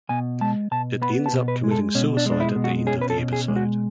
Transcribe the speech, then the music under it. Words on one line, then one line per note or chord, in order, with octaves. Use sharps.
It ends up committing suicide at the end of the episode.
B2 G#5
G#3 A5
B2 A5
B3 B5
A5
B2
B4
G#3
A4
B2 C#4
D4
G#3
D4
E4
B2
F#4
C#4 G#4
B4
A4
B2
G#4
G#3
F#4